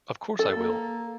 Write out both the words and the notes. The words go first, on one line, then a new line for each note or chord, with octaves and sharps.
Of course I will!
A4
A#3